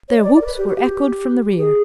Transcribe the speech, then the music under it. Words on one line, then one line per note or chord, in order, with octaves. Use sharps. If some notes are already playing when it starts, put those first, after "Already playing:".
Their whoops were echoed from the rear.
C#5
D#5
D5
D5
A#4
B4
G4
F#4
G4
G#4